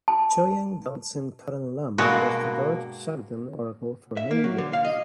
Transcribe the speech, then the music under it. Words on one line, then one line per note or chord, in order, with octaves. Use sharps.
Choyang Duldzin Kuten Lama was the Dorje Shugden oracle for many years.
A5
G2 B2 G#3 A#3 F#4
E5
A#3
F#3
D3
F5
D#5